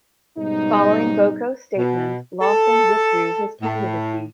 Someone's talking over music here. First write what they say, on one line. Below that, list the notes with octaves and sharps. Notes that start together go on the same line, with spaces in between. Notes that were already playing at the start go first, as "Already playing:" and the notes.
Following Boko's statement, Lawson withdrew his candidacy.
G#2 B2 G3 C#4 D#4
B2
A4
A2